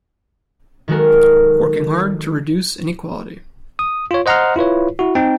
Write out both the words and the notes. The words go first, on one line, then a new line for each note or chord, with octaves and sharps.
Working hard to reduce inequality.
D#3 F#3 G#3 F#4 A4 A#4
D#6
F4 C#5
C5 D#5 F#5 A#5 C6 F6
E4 F4 B4 C#5
E4 F#4
C4 D#4 G5